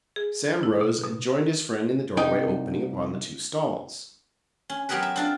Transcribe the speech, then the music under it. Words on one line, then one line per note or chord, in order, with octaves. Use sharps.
Sam rose and joined his friend in the doorway opening upon the two stalls.
G#4
G#6
E4
B2
B2
C2 D#4 G5
C#4
F#3 B3 G4 G#4 A#4 B4
E5
C4 D4 F4